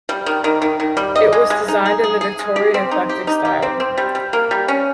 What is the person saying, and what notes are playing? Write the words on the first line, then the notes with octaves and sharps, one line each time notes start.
It was designed in the Victorian Eclectic style.
G3
D#3
D#3
D#3
D#3
G3
D#5
G#3
G#3
D#4
G#4
G#4
G#4
G#3
G4
C4
D#4
G4
D#4
G4
C4
C4
G3
G3
A#3
G3
C#4